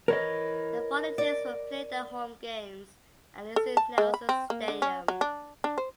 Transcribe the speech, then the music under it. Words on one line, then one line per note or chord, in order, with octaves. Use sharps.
The Volunteers will play their home games at Lindsey Nelson Stadium.
E3 A#4 C#5 D#5
D5
A4
A5
G#3
B5
C4
A#3
D3
C#4
F#3
D4
D4
C5